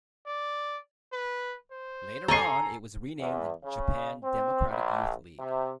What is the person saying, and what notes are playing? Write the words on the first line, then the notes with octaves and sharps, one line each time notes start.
Later on, it was renamed the Japan Democratic Youth League.
D5
B4
C5
A4 G#5 A#5 C#6 C7
E2
C#3
C4
A#1
C3